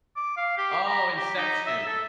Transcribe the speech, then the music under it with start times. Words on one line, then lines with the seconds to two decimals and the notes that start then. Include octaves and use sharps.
Oh, Inception.
0.16 D6
0.37 F5
0.57 G4
0.87 A#5
1.16 G4
1.37 D#4
1.66 E5
1.87 A4